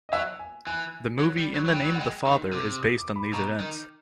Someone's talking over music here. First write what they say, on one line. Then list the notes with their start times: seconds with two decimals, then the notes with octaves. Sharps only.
The movie "In the Name of the Father" is based on these events.
0.09 D#5
0.13 F#3 E5
0.39 G#5
0.67 E3 G#5
1.19 F#3
1.38 G3
1.55 F#3
1.66 F#3
1.73 G3 G5
1.82 F#3
1.91 G3
1.95 F#5
1.99 G#3 G5
2.26 D#3 C6
2.53 C3 D6
2.80 D#6
2.98 D6
3.16 B5
3.33 B2 A#5
3.60 D#3